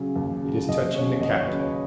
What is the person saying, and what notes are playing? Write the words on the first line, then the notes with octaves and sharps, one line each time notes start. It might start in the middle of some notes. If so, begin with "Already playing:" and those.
It is touching the Captain.
Already playing: C#3 F#3
D#2
C#3 F#3
D#2 D#5
C#3 F#3 C#5
D#2 D#5
C#5
C#3 F#3 B4
C#5